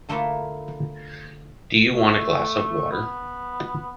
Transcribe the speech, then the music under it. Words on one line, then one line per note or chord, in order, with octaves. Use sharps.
Do you want a glass of water?
D3 A3 A#3 E4 F4 A4
A3
B3